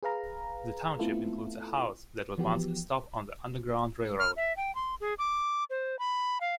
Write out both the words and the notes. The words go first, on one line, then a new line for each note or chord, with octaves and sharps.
The township includes a house that was once a stop on the Underground Railroad.
G#4 B4 F5 A#5
A3 B3 C4 E4 F4 A4
E3 F3 B3 F#4 G4
F6
E5
G5
C6
G#4
D6
C5
B5
F5